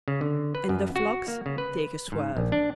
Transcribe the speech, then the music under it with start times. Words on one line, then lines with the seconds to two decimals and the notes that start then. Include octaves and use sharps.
And the flocks take a swerve.
0.08 C#3
0.21 D3
0.55 B4
0.69 F#2
0.96 F#4
1.28 A#3
1.46 C#3
1.58 B4
2.12 G#2
2.37 A#1
2.52 D4